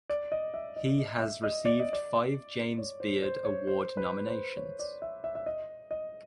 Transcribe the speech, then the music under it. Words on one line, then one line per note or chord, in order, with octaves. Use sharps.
He has received five James Beard Award nominations.
D5
D#5
E5
D#5
D#5
E5
D#5
D5
D#5
D5
C#5
C5
C5
C#5
C5
B4
C5
C#5
D5
E5
E5
E5
D#5
D#5